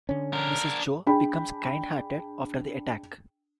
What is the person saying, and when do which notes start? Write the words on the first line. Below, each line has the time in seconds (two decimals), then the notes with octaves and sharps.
Mrs Joe becomes kind-hearted after the attack.
0.09 D3 C#4
0.33 D4 A#4
1.07 D4 G#4 G5 B5